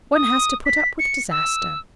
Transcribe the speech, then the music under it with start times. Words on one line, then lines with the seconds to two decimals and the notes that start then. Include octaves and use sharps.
One has to put up with disaster.
0.14 D#6
0.66 B6
0.99 C#7
1.31 E6